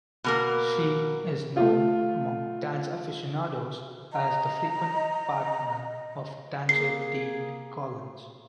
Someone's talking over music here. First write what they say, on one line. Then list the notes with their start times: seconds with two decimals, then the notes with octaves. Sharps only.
She is known among dance aficionados as the frequent partner of dancer Dean Collins.
0.24 B2 A#3 A#4
1.57 A3 F4
4.13 D#5 A#5
6.69 A#3 G#4 C7